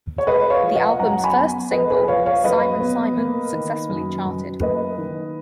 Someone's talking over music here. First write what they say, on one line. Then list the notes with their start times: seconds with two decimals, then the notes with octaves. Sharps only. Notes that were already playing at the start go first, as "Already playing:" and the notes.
The album's first single, "Simon Simon", successfully charted.
0.18 C#5
0.27 G#3 B4 D#5
0.50 C#5 F5
0.63 F3
0.75 D#5 F#5
0.99 F#2 F#5 A#5
1.24 G#5 B5
1.35 B3
1.71 G#3 B4 D#5
1.90 G#4 B4
2.08 F3 C#5 F5
2.26 C#5 F5
2.44 F#2 B4 D#5
2.80 B3
3.17 A#3
3.53 D#3
3.89 F#2
4.25 F#2
4.61 A#3 B4 D#5
4.98 D#3